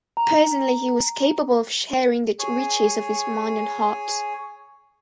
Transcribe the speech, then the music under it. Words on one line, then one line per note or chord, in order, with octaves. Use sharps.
Personally he was capable of sharing the riches of his mind and heart.
A#5
G#4 C#5 G#5